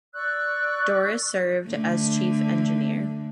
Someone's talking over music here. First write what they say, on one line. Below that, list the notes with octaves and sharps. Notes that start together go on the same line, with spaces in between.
Dorris served as chief engineer.
D5 C#6 E6 F#6
D3 A3